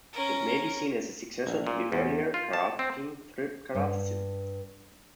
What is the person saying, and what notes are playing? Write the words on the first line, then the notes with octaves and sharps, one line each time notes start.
It may be seen as a successor to the earlier karate-themed strip, Karate Sid.
C#4 A#4
A#1
A#2
E2
F4
A5
C4
G2